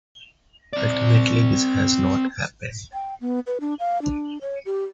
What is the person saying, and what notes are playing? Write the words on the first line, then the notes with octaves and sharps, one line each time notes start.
Ultimately, this has not happened.
C4 D5
G5
B3
B4
D4
F5
D4
C#5
G4